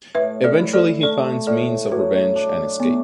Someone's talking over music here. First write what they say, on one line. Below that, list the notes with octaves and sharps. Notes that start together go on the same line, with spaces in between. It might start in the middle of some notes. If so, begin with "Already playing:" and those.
Eventually he finds means of revenge and escape.
A2 B4 E5
A4 D5
E4
A4 D5
A3 A4 D5
A2 A4 D5
F#3 F#4 B4
D4
A3 B3